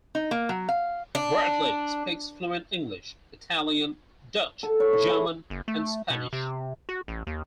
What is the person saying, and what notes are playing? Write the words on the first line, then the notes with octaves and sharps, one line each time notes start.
Bradley speaks fluent English, Italian, Dutch, German and Spanish.
D#4
A#3
F#3
F5
D4
A4
C#5
E4
G#4
F#1
A3
B2
C3
F#4
A1
D#2